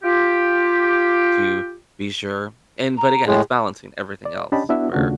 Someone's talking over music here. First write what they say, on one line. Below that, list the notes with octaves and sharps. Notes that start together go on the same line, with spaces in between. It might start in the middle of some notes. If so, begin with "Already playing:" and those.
to be sure and but, again, it's balancing everything else, where
F4 G4
A#5
A2 G#3 G#4
D5
C#4 D4 G4 D#5 A5 B5
B3 D4 E4 F#4 E5
D#2 C#3 A3 D4 F4 F#4